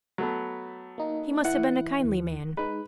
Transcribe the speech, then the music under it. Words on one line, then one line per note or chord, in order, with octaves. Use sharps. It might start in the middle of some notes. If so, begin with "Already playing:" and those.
"He must have been a kindly man!"
F#3 A3 B3
A#3 D#4
E3 E4 F#5
D#2 E3
G#3 D#4 B4